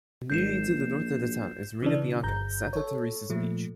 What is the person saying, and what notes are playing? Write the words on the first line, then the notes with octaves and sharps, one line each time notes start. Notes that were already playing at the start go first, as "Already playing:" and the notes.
Immediately to the north of the town is Rena Bianca, Santa Teresa's beach.
G#1 G6 C7 E7
A#1
C#3 E3 D4
G1 A#5 G6
A4 C#5
A#2 F3 A3